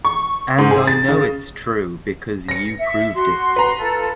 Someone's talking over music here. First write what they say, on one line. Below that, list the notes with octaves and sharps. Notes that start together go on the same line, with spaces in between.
And I know it’s true because you proved it.
C#6
G#2
G#4
A6
C#3
A#6 C#7
E5
F#4 C6
B4 A#5
F4 A4